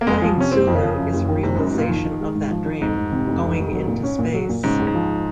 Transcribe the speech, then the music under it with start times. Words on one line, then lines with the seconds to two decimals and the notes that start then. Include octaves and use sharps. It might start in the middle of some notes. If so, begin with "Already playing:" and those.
Playing Sulu is a realization of that dream - going into space.
0.01 A#3
0.06 F2 G#3
0.18 F3 G#3
0.37 C3 C#4
0.52 F#1 C4
0.67 F2
0.75 C#3
0.83 F3
0.97 F#2
1.13 F#1
1.28 D#3
1.43 F#1 C3
1.56 G#2
1.59 F#2
1.67 G#2
1.74 F#1 A#2
1.89 D#3 F3
2.05 D#4
2.20 G#3
2.35 G#2
2.50 F3
2.65 D#4
2.81 F2 G#2
2.96 F1
3.12 C3
3.27 F1
3.42 F2
3.57 F1
3.73 F#3
3.88 A#2
4.03 C#4
4.18 A#2
4.34 F#3
4.49 A#2
4.63 G#2 C#3
4.79 C#2
4.87 G#2
4.94 F3